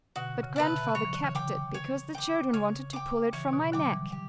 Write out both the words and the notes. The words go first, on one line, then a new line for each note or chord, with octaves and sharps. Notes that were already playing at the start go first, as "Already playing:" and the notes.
But grandfather kept it, because the children wanted to pull it from my neck.
B2 D3 F#4
C#3
B4 E5 A5
B2 D3
F#3 C#5
E3
D3
C#3 E3
G5 D6
C#5
G5 D6
C#3 C#5
G5 D6
C#3 E3 C#5
B2 D3
D3 F#3 G5 D6
E3 G3
G4